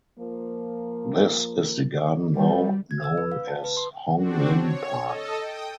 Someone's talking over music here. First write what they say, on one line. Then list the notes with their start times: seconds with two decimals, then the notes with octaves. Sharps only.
This is the garden now known as Hong Lim Park.
0.18 F3 A#3
2.36 F#2 F#3 G3 B4
2.91 G#6
3.04 E6
3.18 B4
3.32 F5
3.48 A5
3.64 B4
3.77 C6
4.17 C4 D4 F#4
4.57 C#5
5.03 A4 D#5
5.41 G5 D#6